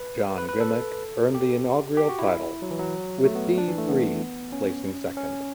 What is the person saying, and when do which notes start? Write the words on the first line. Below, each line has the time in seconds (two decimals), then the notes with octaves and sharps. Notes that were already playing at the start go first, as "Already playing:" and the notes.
John Grimek earned the inaugural title with Steve Reeves placing second.
Already playing: B4
0.38 B4
0.49 B4
0.60 A4
1.35 G4
1.97 G4
2.09 F#4
2.19 E4
2.62 F#3
2.71 E3
2.80 F#3
3.25 A3
3.35 B3
3.58 D4
3.68 E3
3.78 A3
3.89 B3
4.52 C#4
5.17 C#4